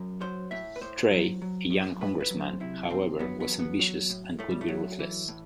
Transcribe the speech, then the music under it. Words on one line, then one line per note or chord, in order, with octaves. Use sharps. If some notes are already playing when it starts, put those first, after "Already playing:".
Trey, a young congressman, however was ambitious and could be ruthless.
Already playing: F#2
F#3 C5
A2 E5
B4
A2 C5
F#3
F#3
A2
A2 B4
B4
F#3
C5
C3 E4
E2 C4
F#3 B3
B3
E2
B3
F#3
A2
A2 A3
G3
A3
F#3
E3
A2